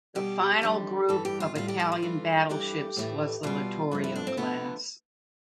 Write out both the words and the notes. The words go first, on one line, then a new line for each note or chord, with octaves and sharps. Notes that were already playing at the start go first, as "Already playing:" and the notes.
The final group of Italian battleships was the "Littorio" class.
B2 G3 G4
F2 D3 G3
G2 E3 G3 A4
G4
F4
A2 G3 F4
G4
G4
F4
G2 E3 A3
G2 E3 A3 G4
A2 E3 A3
B2 G3 F4
G2 F3 A3
E4
D4
C4
D3 F3 A3 B3